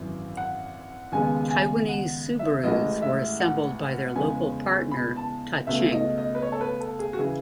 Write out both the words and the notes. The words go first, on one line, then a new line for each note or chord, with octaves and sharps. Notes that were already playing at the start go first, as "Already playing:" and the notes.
Taiwanese Subarus were assembled by their local partner Ta Ching.
Already playing: G#1 F#2 E3
F#5
D#2 C#3 G#3 B3 G#5
G#5
F#5
E5
A1 A2 G#3 D#5
E5
F#5
E2 C#3 G#3 B3 G#5
B5
A5
C#2 B2 A3 E5
D#5
D#5
B4
C#5
A4
B4
A4
G#4
F#4
C#3 E3 G#4